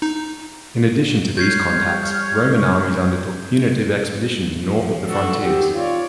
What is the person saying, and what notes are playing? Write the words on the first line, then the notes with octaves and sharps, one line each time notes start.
In addition to these contacts, Roman armies undertook punitive expeditions north of the frontiers.
D#4
G3 C#5 F6 G6 G#6 C7
F3
D4 F#4 A4
D#3 C4 G4
F4 C#5 D5